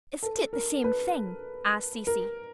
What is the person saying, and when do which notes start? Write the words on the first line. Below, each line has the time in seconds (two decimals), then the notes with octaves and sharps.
"Isn't it the same thing?" asked Cecy.
0.23 A4
0.53 A#4
0.84 B4
2.07 A#4